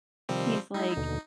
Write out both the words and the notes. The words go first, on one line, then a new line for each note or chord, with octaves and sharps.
he's like,
C3 D#3 F3 G3 C4
G#3 D#4 E4
D#2 B2 D3